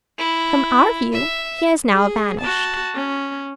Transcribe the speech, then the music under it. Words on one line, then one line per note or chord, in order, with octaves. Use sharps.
From our view he has now vanished.
E4
E5
G#4
F#4 A5
C#4